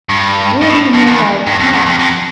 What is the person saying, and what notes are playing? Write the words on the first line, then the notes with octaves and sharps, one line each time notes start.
"Where do you make out cash?"
G2
G2
A2
F2
E2
G2
F2
E2
F2
F2